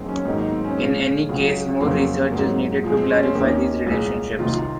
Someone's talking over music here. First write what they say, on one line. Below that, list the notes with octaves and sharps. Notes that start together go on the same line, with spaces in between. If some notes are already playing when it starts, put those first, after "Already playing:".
In any case more research is needed to clarify these relationships.
Already playing: F#2 D#3 F#3 A#3 C4 G#4
C#4
G#2 D#3 F#3 A#3 D#4
D#4
C4
C#4
A#2 F3 G#3
C#2 C#3 F#3
F2 C#3 F#3 A#3 C4
G#2 F#3 A#3
A#2 F3 G#3
C4
C#4
C4
D#2 D#3 A#3 C#4
C2 A#2 G#3
C2 C3 D#3 F4
F4